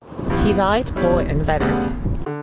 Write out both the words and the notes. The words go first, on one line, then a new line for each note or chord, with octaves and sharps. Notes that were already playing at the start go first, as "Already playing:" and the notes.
He died poor in Venice.
G2 E3 B3
B2 G3 C#4 E4
D2 C#3 G3 B3
D3